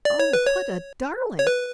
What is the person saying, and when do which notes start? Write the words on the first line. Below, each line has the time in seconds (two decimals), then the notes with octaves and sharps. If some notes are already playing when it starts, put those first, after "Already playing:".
Oh! what a darling!
0.05 D5
0.20 C#5
0.33 B4
0.46 C#5
1.39 C#5
1.47 B4